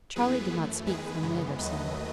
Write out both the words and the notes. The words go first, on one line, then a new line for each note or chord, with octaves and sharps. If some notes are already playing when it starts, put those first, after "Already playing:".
Charley did not speak for a minute or so.
F#2 E3 B3 G#4 B4
F#2 E3 A3
E2 D#3 G#3 G#4 B4
F#2 C#3 E3 G#3 B3
D#2 D#3 F#3 A3 B4 D#5